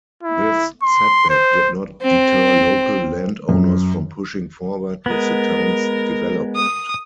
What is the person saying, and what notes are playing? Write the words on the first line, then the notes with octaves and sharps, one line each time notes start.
This setback did not deter local landowners from pushing forward with the town's development.
E4
C6
C5
C4
F#2
G#3 B3 A#4
D#6